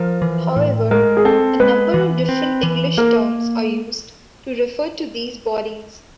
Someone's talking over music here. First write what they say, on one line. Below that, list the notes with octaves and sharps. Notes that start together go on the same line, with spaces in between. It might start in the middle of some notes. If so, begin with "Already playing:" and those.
However, a number of different English terms are used to refer to these bodies.
Already playing: F3 A#4
E3
A2
G#3 A#4
G#4
C4 A4
G#3 B4
E3
C4
E3
A#3 A#4